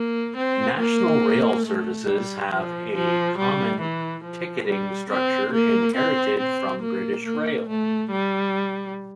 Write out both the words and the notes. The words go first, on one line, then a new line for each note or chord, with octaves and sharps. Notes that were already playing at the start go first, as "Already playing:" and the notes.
National Rail services have a common ticketing structure inherited from British Rail.
Already playing: A#3
C4
A#3
A3
G3
F3
F3
G3
E3
F3
G3
C4
A#3
C4
C4
A#3
A#3
A3
G3